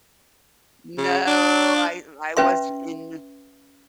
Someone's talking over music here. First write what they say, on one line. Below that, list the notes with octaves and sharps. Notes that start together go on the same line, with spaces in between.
No. I I wasn't in
C#3
D4
C#4 B4 E5 C6